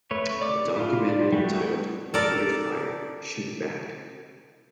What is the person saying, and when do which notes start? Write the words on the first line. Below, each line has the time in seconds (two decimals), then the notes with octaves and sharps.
A documentary entitled When Under Fire: Shoot Back!
0.11 A3 B4 C#5
0.41 D5 D6
0.76 E4 F4
1.09 D5
1.32 G3 A3 F#4 G4
2.14 A4 A#4 D5